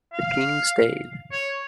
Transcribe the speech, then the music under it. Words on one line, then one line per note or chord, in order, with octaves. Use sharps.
The King stayed.
F5
C#5